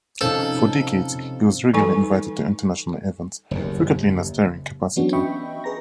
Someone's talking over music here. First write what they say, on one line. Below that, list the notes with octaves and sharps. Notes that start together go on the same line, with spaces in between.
For decades he was regularly invited to international events, frequently in a starring capacity.
C3 F3 C#4 D#4 A4
E3 G3 D#4 A4 G#5 C#6
F#1 D#2
E3 F#3 B3 C#4 D4 F#4
D#5 E5 G5 B5 C#6
G#4 B4 A#5 A#6